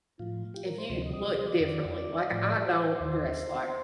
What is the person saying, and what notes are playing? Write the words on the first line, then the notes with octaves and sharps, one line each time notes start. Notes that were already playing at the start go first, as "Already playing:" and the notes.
mm if you look differently like, I don't dress like
A2 F3 F4
G4
A#4
C5
D2 C3 F3 C5
D#5
D#5
D5
C5
D5
F2 D#3
D#5
A2 F3 D5
C5
D#2 D#3